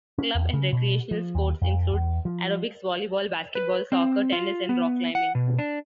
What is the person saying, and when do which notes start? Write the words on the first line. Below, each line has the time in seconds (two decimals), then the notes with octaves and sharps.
Club and recreational sports include aerobics, volleyball, basketball, soccer, tennis and rock climbing.
0.18 C#4
0.35 E2
0.53 C#3
0.73 B2
1.11 F3
1.35 D#2
1.62 F2
1.93 E2
2.25 F3
3.55 B4
3.92 C4
4.32 F4
4.69 B3
5.15 F#5
5.35 B2
5.59 D4